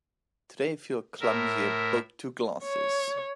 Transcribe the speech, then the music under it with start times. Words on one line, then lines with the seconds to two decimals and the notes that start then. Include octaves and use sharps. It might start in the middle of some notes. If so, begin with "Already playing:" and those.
Today I feel clumsy; I broke two glasses.
1.21 A2 A#4 E5
2.64 C#5